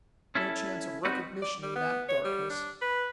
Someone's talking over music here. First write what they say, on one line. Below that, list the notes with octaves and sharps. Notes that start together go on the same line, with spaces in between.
No chance of recognition in that darkness.
C#4 E4 A4
C4 D#4 F#4 B4
D5
G3
B3
C#5
G3
D4
B4